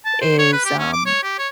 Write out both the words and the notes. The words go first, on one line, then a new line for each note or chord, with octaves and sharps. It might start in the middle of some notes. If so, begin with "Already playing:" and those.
is, um,
A5
C5
C#5
B4
G4
C#4
D6
C#5
G4
C#5